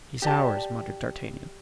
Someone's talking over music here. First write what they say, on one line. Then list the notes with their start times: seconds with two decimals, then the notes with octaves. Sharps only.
"He's ours," muttered D'Artagnan.
0.22 G4 D5 A5